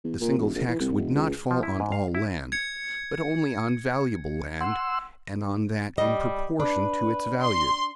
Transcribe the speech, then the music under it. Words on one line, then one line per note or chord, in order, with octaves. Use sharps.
The single tax would not fall on all land, but only on valuable land, and on that in proportion to its value.
E2
A#2
E1
A#1
E3
C2
E1
C#2
F3
E4
G#2
F5
E4
G#6 C#7
F#5 C6 E6
G3 D#5
D4 B4
C6